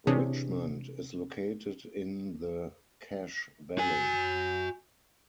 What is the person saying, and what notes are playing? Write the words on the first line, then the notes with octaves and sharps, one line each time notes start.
Richmond is located in the Cache Valley.
C3 E3 D4 G#4 C#5
F#4 G#5